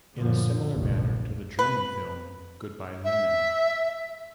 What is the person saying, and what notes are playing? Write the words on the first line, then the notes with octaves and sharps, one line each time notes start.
In a similar manner to the German film Good Bye Lenin!
F#2 A#2 D3 F3
F1 A#1 G2
B4
E5